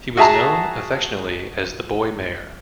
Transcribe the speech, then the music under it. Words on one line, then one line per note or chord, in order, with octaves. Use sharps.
He was known affectionately as the "Boy Mayor".
F#4 G#4 E5 A5 A#5